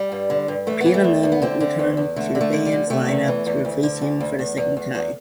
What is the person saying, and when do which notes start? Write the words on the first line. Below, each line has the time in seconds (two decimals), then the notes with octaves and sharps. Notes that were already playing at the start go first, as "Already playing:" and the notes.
Peter Nunn returned to the band's line-up to replace him for the second time.
Already playing: G3
0.12 G2
0.30 D3
0.48 G2
0.67 E3 A3
0.81 E3 B3
0.94 A3
1.04 E2
1.23 E2
1.32 B3
1.42 D3 C4
1.60 D3
1.79 E2
1.97 E2
2.16 D3 A3
2.35 D3
2.41 A3
2.53 D3
2.66 G3
2.72 D3
2.90 C3 A3
3.08 E2
3.28 E3
3.46 E2
3.65 D2
3.83 D3
4.01 D2
4.20 D2
4.39 E2
4.57 E2
4.77 E2
4.95 E2